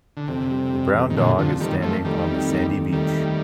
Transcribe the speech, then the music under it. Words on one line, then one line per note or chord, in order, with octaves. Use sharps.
The brown dog is standing on the sandy beach.
D3
F2 C3
G3
G3
F2
D#3
F2 A#2 D3
F2 D3 F3
F2 D#3 G3
F2 F3 A3
D#3 G3 A3
C4
D#2
D#2
D#3 G3 A3
A3